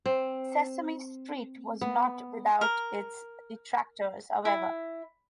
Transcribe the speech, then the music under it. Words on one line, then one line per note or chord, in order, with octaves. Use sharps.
"Sesame Street" was not without its detractors, however.
C4
B3
A#4
E4